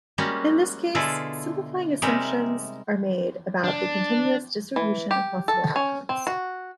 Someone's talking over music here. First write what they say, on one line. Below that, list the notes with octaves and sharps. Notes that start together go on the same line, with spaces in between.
In this case, simplifying assumptions are made about the continuous distribution of possible outcomes.
G3 G#3 A#3 C#4 F#4
B2 D3 E4 F4 G#4 A4
C3 G3 G#3 D#4 A#4 E5
D4
E3
G4
A4
C#4
C4
F#4